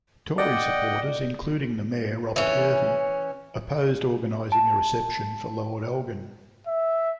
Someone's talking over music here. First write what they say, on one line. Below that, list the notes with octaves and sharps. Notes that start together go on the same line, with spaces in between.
Tory supporters, including the mayor Robert Hervey, opposed organizing a reception for Lord Elgin.
D5 D#5 F#5 G5
E3 C#4
A5
E5